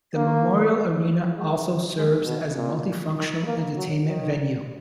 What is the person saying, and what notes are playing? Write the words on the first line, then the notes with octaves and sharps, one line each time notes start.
The Memorial Arena also serves as a multi-functional entertainment venue.
A#3
G#3
G#3
B2
A#2
D#3
A#3
F#3
D#3